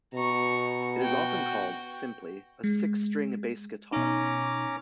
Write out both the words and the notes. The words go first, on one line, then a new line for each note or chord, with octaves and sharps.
It is often called, simply, a "six string bass guitar".
B2 A#5 C#6
F#4 G5
G#3
B2 C#4 D#4 A#5 D6